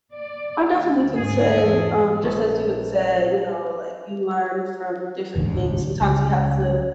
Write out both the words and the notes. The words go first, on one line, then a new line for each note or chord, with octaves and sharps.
I definitely can say, um, just as you would say, you know, like, you learn from different things. Sometimes you have to,
D5
D2
G#2 G#4
E2 A4
A#1 C#4 A4 B4 A6
E1 A1 D2 G#2
C#2